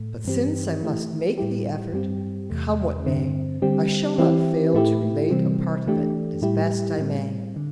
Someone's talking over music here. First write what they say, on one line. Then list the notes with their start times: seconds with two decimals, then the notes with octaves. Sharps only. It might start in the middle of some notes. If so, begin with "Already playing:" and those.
But since I must make the effort, come what may, I shall not fail to relate a part of it, as best I may.
Already playing: A2 A3
0.25 G2 E3 C4 G4
0.81 E3 A3 E4 G4
1.38 A2 G3 E4 G4
1.93 G2 G3 C4 G4
2.50 E2 C3 A3
3.06 G2 D3 C4
3.62 D3 G3 C4 G4
4.18 E3 C4 E4 G4
4.74 A2 A3 E4 G4
5.30 C3 E3 G3 C4
5.86 E3 A3 D4 G4
6.42 A2 G3 E4 G4
6.98 A2 G3 C4
7.56 D3